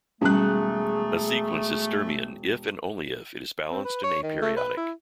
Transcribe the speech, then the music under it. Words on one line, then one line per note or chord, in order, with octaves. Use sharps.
A sequence is Sturmian if and only if it is balanced and aperiodic.
E1 G3 A3 C#4 G#4 F#6
C4
B4
C#5
D#3
A3
B4
E4